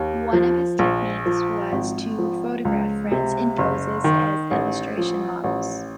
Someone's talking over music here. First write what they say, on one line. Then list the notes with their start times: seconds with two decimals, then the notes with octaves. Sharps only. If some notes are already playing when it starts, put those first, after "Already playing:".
One of his techniques was to photograph friends in poses as illustration models.
Already playing: D#2
0.33 F3
0.79 A#1
1.26 F3
1.72 G#1
2.19 F3
2.65 C#2
3.12 C3
3.58 F#1
4.04 D#3
4.51 A1
4.98 F3
5.44 A1